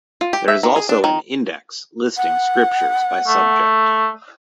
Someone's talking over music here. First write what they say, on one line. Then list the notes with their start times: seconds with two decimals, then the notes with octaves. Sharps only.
There is also an index listing scriptures by subject.
0.21 F4
0.33 G4
0.48 E5
0.63 D#3
0.76 G#4
0.89 D4
1.04 D#3
2.16 F#5
3.27 A3